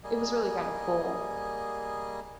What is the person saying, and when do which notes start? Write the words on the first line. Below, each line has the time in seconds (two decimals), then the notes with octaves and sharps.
it was really kind of cool.
0.04 G3 A#3 G#4 D#5